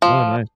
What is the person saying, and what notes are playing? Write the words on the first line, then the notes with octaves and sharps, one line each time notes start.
Oh, nice.
F3